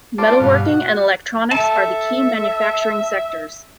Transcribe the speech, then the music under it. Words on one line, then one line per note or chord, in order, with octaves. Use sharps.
Metalworking and electronics are the key manufacturing sectors.
F4 A4 C5 D5 A5 D6
G2 B2 F5
F#4
A4 E5 A5